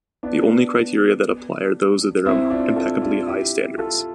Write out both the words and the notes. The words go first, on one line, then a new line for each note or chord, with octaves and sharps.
The only criteria that apply are those of their own impeccably high standards.
B3 D4
C4 E4
D4 F4
F4 A4
D4 F4
E4 G4
F4 A4